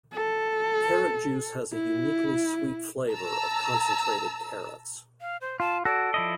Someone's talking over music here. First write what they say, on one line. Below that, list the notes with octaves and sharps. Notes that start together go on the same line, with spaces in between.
Carrot juice has a uniquely sweet flavour of concentrated carrots.
A4
E4
A5 A#5 E6
F5
C5
F4 A5
F#4 A4 D5
F3 E4 D#5